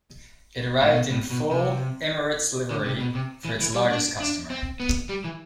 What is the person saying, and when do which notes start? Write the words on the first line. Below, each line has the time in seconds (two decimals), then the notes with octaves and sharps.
It arrived in full Emirates livery for its largest customer.
0.82 A2
0.92 B2
1.11 A2
1.31 B2
1.51 C3
2.71 D3
2.86 C3
3.00 B2
3.15 C3
3.45 E3
3.60 E3
3.75 G3
3.90 D4
4.20 D4
4.50 C4
4.80 B3
5.09 G3
5.24 E3